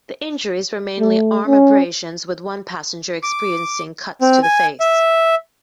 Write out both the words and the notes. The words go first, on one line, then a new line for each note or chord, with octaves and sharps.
The injuries were mainly arm abrasions, with one passenger experiencing cuts to the face.
A3
C#4
D6
C4
G#5
E5